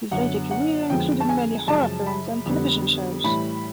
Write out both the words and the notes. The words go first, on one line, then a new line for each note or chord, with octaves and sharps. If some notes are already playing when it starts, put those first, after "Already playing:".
His later career included many horror films and television shows.
F#2 D3 F#3 B3 F#5
F#5
F2 D3 F3 G#3 B3 G5
A5
G#5
F#2 C#3 F3 G#3 A5
B5
F2 D3 G3 B3
A2 E3 G3 B5